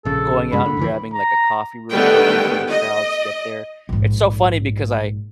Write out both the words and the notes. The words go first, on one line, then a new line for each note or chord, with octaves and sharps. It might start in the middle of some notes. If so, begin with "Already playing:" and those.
going out and grabbing like a coffee real quick before the crowds get there. It's so funny because I
A#1 C#3 A4
G2 C#3 G#3 B5
D3
F#1 D2 E3
A#5
D3 D#3 G3 A3 B3 G5
D#5
A#1 G#2